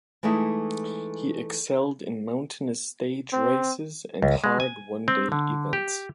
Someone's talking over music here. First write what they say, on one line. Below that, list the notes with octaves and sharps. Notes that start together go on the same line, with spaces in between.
He excelled in mountainous stage races and hard one-day events.
E3 G#3 A3 D#4 E4
C4
C#2
G#3
G#5
C4
D3
G4